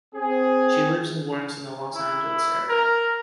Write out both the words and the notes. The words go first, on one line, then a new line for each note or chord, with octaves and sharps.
She lives and works in the Los Angeles area.
C4 G#4
E4
A#4